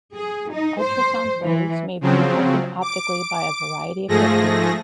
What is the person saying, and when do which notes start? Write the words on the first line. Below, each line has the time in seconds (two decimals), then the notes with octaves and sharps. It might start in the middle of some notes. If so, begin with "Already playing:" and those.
Ultrasound waves may be detected optically by a variety of techniques.
0.15 G#4
0.52 D#4
0.82 C5
1.42 E3
2.01 C#3 F3 F#3 C4
2.81 D6 D7
4.08 G#2 F3 A3 G#4 A#6